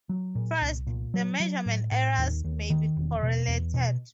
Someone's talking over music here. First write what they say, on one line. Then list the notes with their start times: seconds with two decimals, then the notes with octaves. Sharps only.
First, the "measurement errors" may be correlated.
0.09 F#3
0.35 A#2
0.62 C2
0.87 A#2
1.14 F#3
1.40 F#3
1.66 A2
1.92 A2
2.18 D#2
2.44 D#2
2.70 D#3
2.97 E1
3.23 B2
3.48 E2
3.74 B2